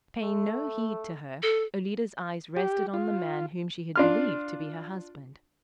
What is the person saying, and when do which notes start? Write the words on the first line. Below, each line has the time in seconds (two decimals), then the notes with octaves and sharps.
Paying no heed to her, Alida's eyes rested on the man whom she had believed to be her husband.
0.22 A3
1.43 A4
2.57 G4
2.94 F4
3.96 D4 F4 F6